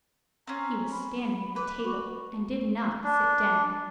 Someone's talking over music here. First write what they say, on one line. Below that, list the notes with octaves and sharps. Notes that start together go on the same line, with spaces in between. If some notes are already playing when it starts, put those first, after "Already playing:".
He was standing at the table and did not sit down.
C4 C#4 A#5
B5
B4 D6
F#4
D4